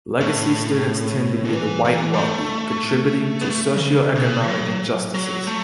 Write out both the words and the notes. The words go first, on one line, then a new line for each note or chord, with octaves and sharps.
Legacy students tend to be the white wealthy, contributing to socioeconomic injustices.
A2
E3
E3
G3
A3
B3
A3
C#3
B2
F#3
F#3
A3